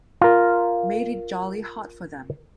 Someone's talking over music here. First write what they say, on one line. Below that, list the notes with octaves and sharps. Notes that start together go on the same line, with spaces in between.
Made it jolly hot for them!
F4 A#4